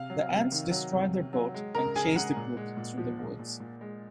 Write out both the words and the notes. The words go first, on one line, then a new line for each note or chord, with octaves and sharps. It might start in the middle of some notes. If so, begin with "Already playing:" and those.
The ants destroy their boat and chase the group through the woods.
Already playing: C3 F5
F#3
C3
D#3
F#3
C3
C3
F#3
G#3
C#3 A#4 A#5
C#3 G#4 G#5
G#3 F#5
A#2
G#3
A#2
F3
G#3
A#2
A#2
G#3